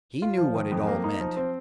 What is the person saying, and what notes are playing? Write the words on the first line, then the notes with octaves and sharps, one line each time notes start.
He knew what it all meant.
F4
F3
D#3
F2
A#3
D#4
F3
C4